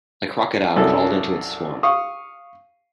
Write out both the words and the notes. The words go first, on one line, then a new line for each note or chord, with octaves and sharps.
The Crocodile crawled into its swamp.
C2 F#2 E4 A4
F5 C#6 D#6